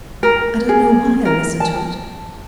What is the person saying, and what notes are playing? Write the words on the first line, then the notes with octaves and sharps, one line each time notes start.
I don't know why I listened to it.
A#4
G#4
A#4
A5